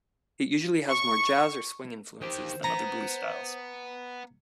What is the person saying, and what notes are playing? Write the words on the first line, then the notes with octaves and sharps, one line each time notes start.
It usually has more jazz- or swing-influences than other blues styles.
C#6
D#3 G4 C5
B3 A#5